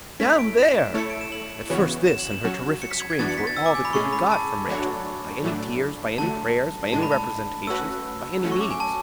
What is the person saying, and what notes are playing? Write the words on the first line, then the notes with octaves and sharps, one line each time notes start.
Down there!’ At first this, and her terrific screams, were all that could be got from Rachael, by any tears, by any prayers, by any representations, by any means.
A3 C#4 E4 B6
D7
E7
A3 E4 A4 C#5 C#7
D7
E7
F#7
C#3 E3 B3 F#4 C#5
E7
F#7
E7
F#3 C#4 F#4
C#7
B6
G#6
G#6
E3 B3 D4 F#4 A6
C#7
B6
A6
E6
D6
G#5
B5
A2 G#3 C#4 G#4 C#6
B5
A5
F#3 A3 D4 F#4 C#5
A2 F#3 A3 D4
D3 F#3 A3 A5
A2 G#3 D4 A5
B5
A5
A3 C#4 F#4 B4 E6
F#3 A3 C#4 F#4
C#6
D6
G#5
A5